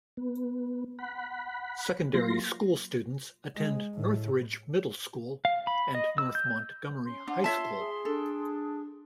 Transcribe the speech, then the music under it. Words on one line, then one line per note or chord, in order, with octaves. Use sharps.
Secondary school students attend Northridge Middle School and North Montgomery High School.
B3
F#5 B5
F#3 A#3 F4 C6 A#6
G#3
A2
F5
B5
D#5
E6
G6
C#4 C6
D4 F#5
F4 C#5 E5 A5
G#4
D4 A4